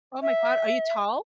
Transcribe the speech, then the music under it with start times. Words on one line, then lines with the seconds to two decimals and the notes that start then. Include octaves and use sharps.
Oh my God, are you tall?
0.22 E5